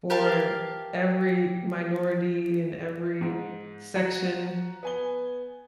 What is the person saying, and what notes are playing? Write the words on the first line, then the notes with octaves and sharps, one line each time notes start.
for every minority and every section,
G4 A#4 F5 A5
G#2
F#4 F#5 A#5 F#6
B3 G#5 G7